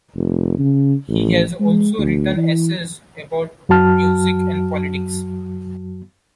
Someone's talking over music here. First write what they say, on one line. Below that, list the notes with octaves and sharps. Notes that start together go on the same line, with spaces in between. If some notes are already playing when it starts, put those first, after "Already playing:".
He has also written essays about music and politics.
F1
C#3
A1
G#3
D2
E3
F#2 F#3 F#4 A5 F6